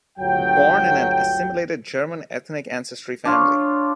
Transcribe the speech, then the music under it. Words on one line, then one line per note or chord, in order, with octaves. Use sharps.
Born in an assimilated German ethnic ancestry family.
G1 D2 F#3 G5
D4 F4 C#5